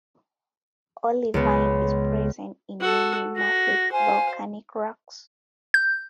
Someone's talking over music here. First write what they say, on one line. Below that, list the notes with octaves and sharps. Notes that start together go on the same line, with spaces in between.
Olivine is present in many mafic volcanic rocks.
C#2 B3
F#4 A4
F#4 A#6
C5 F5 G#5
G6